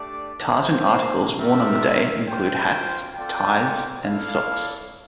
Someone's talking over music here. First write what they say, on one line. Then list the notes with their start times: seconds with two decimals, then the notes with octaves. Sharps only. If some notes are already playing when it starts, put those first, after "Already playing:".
Tartan articles worn on the day include hats, ties and socks.
Already playing: A3 D4 G4 D5
0.50 A#3 F4 C5
1.38 A3 C4 G4 A#4 E5
2.27 F4 C5 G5
3.15 C4 F4 A4 D5 G5
4.04 E4 A4 D5 F5